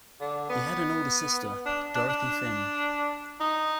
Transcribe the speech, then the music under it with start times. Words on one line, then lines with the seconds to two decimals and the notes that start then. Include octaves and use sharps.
He had an older sister, Dorothy Finn.
0.21 D3
0.50 B3
1.66 D4
1.95 D4
2.09 D4
3.40 D#4